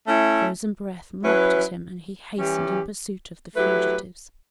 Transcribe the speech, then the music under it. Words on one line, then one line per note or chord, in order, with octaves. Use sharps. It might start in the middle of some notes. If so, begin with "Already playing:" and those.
The frozen breath mocked at him, and he hastened in pursuit of the fugitives.
A3 C#4 E4
F#3 C#4 E4 B4
E3 G3 C#4 G4
F#3 A3 E4 G4 B4